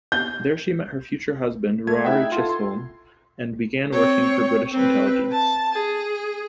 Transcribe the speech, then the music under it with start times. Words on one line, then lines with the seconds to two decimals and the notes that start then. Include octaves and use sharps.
There she met her future husband, Ruari Chisholm, and began working for British Intelligence.
0.12 G6
1.87 A3 G#6
2.05 D#4 E4 G#4 E5 F#5 G5
2.32 F4 A4
2.49 C6
3.93 C4 C#5
4.72 C4 B4
5.32 A5
5.73 G#4